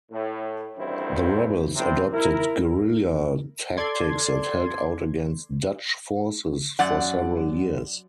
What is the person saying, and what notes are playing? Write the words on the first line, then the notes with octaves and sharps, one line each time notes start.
The rebels adopted guerrilla tactics and held out against Dutch forces for several years.
A2
A1 D2 G2 D#3 C4 E4
C3 G3 C4
E4 A#4
A4 D5 C6 G#6
F#2 D5 F#5